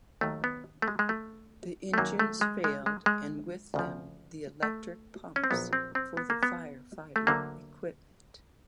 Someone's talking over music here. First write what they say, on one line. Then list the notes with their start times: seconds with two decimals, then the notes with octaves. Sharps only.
The engines failed and with them the electric pumps for the firefighting equipment.
0.21 D#2 D#3 F#3 A3
0.44 B3
0.82 A3
0.88 G#3
0.99 G#3
1.09 A3
1.94 A3
1.98 F#2 D#3 F#3 A#3
2.19 A3
2.41 G#3
2.64 G#3
2.86 G#3
3.06 G#3
3.74 D2 C#3 F3
4.63 A3
5.36 C#4
5.44 C4
5.50 A#1 A#2 F#3 B3
5.73 C4
5.95 C4
6.17 B3
6.30 A#3
6.43 B3
7.16 A3
7.27 D2 D3 F#3 A#3